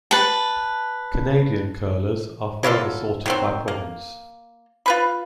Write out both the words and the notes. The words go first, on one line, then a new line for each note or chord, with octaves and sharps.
Canadian curlers are further sorted by province.
B4 A5
F#3 E4 F4 A4
D#3 F#3 C4
A#3
F4 B4 B5